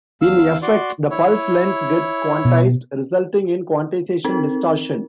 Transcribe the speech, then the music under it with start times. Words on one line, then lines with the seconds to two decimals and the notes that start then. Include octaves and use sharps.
In effect, the pulse length gets quantized, resulting in quantization distortion.
0.22 E2 F5 E6
0.62 F#4 D5 C6
1.10 E4 C#5
2.45 B2
4.25 C4 D#4 A#4